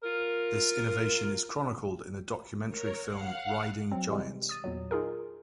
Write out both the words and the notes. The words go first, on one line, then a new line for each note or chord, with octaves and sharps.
This innovation is chronicled in the documentary film, "Riding Giants".
F4 A#4
A#4 C#5
F5 F#5
F#3 C4
C3 E3 G3 G#3
D#6 A6 D#7
E2 A#2 F#3
D#4 F4 G#4 A#4